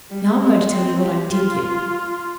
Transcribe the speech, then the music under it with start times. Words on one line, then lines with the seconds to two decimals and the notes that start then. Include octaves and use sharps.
Now I'm going to tell you what I did give.
0.10 G3
0.40 G#3
0.70 C4
1.00 G4
1.30 F4